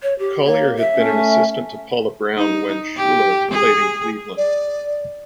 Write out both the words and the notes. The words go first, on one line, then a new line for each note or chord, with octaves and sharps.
Collier had been an assistant to Paul Brown when Shula played in Cleveland.
C#5
G4
A#3 C#5
E5
A3 C#4
D#4
G4
G#4
D5